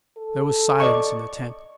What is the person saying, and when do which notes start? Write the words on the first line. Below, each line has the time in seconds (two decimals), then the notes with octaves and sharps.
There was silence in the tent.
0.17 A4
0.80 D5 D#5 C#6